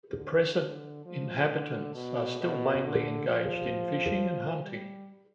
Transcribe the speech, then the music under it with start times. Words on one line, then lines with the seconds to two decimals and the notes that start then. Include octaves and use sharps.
The present inhabitants are still mainly engaged in fishing and hunting.
0.16 D3
0.60 D3
1.05 F3
1.49 D3
1.94 B2
2.40 B2
2.84 D3
3.28 F3
4.63 G3